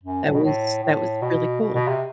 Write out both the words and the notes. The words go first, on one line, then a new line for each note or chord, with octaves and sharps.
that was that was really cool.
F#2
A2
B2
A2
A2
B2
B2
B2
C3